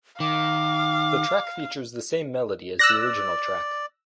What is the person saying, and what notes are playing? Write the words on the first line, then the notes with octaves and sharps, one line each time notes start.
The track features the same melody as the original track.
D#3 F5 D6
D5 E6 F#6 A#6